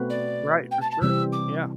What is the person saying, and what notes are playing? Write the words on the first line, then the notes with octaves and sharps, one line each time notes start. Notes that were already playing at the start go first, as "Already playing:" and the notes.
Right, for sure. Yeah.
Already playing: B2 A3 C4 F#4 B4
D5
G5
A5
A5
C3 E3 G3 C4 E6
D6